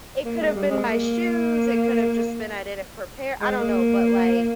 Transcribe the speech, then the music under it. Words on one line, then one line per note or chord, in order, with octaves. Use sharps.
it could have been my shoes; it could have just been I didn't prepare I don't know, but, like
A#3
G#3
G3
G#3
A#3
G#3
A#3